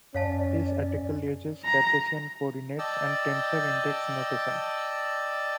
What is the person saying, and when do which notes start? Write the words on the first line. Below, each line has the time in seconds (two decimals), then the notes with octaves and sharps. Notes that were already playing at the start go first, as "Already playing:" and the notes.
This article uses Cartesian coordinates and tensor index notation.
0.14 F#2 C#4 C#5 D5 F5 A5
1.64 A#5
2.79 D5 D#5 G5 A5 E6